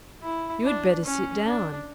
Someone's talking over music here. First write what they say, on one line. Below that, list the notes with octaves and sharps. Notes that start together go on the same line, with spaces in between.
"You had better sit down."
E4
D4
C#4
D4